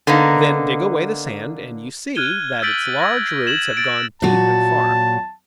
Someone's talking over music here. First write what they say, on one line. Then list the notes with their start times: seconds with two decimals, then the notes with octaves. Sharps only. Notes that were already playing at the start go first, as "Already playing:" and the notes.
Then dig away the sand, and you see that its large roots have gone deep and far.
0.07 D3 A#3 B3 D#4
2.16 F6 F#6 G#6 D#7 G7
2.62 E6 G6 A6 B6 D7 F#7
3.00 E6 G#6 A#6
3.46 G#6 E7 F#7
3.77 A6 D7
4.22 A#2 F#3 F#4 A5